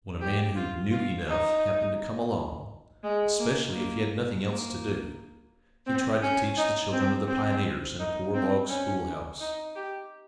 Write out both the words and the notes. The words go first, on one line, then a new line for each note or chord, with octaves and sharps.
When a man who "knew enough" happened to come along, especially if he had nothing else to do, he tried to teach the children of the pioneers in a poor log schoolhouse.
G4
F4
F4
D#4
G#3
A#3
A#3
A#3
C4
C#4
D#4
C4
C4
D#4
C4
C#4
D#4
G4